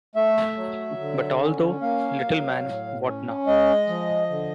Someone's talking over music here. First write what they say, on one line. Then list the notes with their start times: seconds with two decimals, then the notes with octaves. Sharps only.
But, although Little Man, What Now?
0.16 A3 E5
0.57 F#3
0.99 D3
1.41 C#4
1.81 A#3 F5
2.23 F#3
2.64 A2
3.05 C#4
3.47 G#3 D#5
3.88 F3
4.30 D3